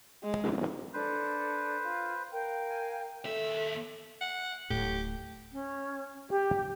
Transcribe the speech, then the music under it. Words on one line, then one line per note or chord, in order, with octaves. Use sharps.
"I'll Be Stronger" was the first song Utada wrote.
G#3
D4 A4 B4 C5
F4
A#4 F5 G5
G#5
D#2 A4 E5
F#5
D1 A2 G4
C#4
G4